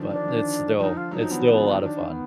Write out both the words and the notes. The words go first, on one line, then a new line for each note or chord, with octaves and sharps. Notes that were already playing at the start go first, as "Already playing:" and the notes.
But, it's still it's still a lot of fun.
Already playing: D3 D#3 F3
D3 D4
D#3
D3 F3 D#4
F4
F#3 D#4
F3
D#3 B3
D3
D#3 D4
D#3
B3